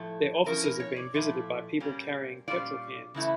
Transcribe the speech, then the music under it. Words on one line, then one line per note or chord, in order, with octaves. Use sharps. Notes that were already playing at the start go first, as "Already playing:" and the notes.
Their offices have been visited by people carrying petrol cans.
Already playing: A2 F3 A3
F3 C#4 E4 A#4
A#4
C#5
D5
A#2 F3 A3 E4
A#2 G3 A#3 C#4
A#2 G3 C#4 F4 D5
C#3 E3 A3 E4